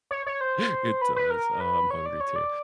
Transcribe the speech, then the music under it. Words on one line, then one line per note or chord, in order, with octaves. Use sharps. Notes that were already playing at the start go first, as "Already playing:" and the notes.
It does, oh, I'm hungry too,
C#5
C#5
C5
B4
B4
A#4
B4
C#5
D5
C#5
D5